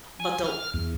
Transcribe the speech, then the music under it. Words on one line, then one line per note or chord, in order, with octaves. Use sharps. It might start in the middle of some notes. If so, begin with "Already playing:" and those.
but, they'll
G#5
F6
E2